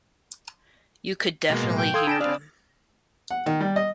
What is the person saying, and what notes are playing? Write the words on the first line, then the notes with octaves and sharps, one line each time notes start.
You could definitely hear them.
B2 G#3 A#3
A2 F#3
G5
A4 F5 C6 D#6 E6 G#6
D4 G#5 A5 B5 D7 E7
C4 D4 D5 F5
F#5
D#3
G3
D#5